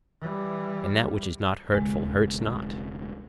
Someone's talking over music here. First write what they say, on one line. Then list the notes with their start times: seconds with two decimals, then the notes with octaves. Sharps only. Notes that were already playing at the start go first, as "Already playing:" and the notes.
And that which is not hurtful hurts not?
0.21 E3 G3
1.75 E1 C#2 G#3